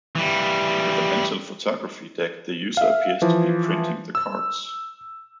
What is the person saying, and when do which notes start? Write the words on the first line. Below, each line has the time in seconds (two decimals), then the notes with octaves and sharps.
With a Mental Photography Deck, the user appears to be printing the cards.
0.15 E3 G3
2.77 E5 F5
3.22 E3 F3
4.15 E6